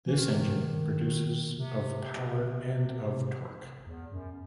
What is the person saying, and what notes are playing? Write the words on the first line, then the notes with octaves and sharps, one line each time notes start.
This engine produces of power and of torque.
E3
D#3
C3
D#3
C3
E2
F#2